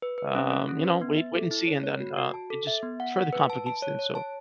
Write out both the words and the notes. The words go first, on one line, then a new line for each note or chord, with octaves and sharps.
um, you know wait wait and see, and then, uh, it just further complicates things so,
B4
B4
C#4
C#4
C#4
B4
B3
E5
A4
E4
C#5
C#5
F#4
F#4
A5
A4
E5
B3
F#5
F#5
B4
A5
A5
C#5
C#5
A5